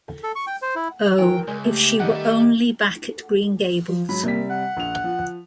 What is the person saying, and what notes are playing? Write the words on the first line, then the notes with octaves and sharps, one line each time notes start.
Oh, if she were only back at Green Gables!
A4
C#6
G5
C5
E4
E3 F#3 A#4 G5
C#2 G#3
A3 G4
G#2 B2 D#3 G3 F#5
A3
F3
G#2 F#3 B5
C3 G3 A#3 B6
F#5
A#1 F7
F3